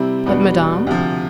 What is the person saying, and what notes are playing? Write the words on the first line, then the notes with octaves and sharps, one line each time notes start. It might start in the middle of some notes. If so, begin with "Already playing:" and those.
"But Madame?"
Already playing: C3 G3 C4 E4
E2 B2 G3 B3 D4
D2 C3 F3